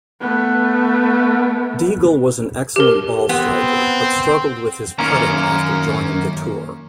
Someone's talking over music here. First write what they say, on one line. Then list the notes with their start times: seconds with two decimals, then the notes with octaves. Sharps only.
Diegel was an excellent ball-striker, but struggled with his putting after joining the tour.
0.21 A3 B3
2.76 G4 A#4
3.29 B3 C4
4.99 F#2 D#3 A#3 C#4 A#5